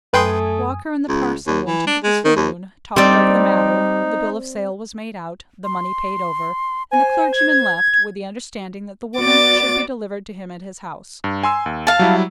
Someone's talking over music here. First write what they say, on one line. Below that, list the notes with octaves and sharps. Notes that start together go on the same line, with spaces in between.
Walker and the parson went into the saloon, talked over the matter, the bill of sale was made out, the money paid over, and the clergyman left, with the understanding that the woman should be delivered to him at his house.
F#2 A3 B4 G5 G#5 C6 D#6
C#2
D#2
E3
D4
G#3
D#3
D#2
G3 C4 D#4 D5
C6
C5 G#5
G#6
B3 F#4 D5 D6 A6
G2
G#5 C6 E6
D#2
F5 A5
F#3 G3 E4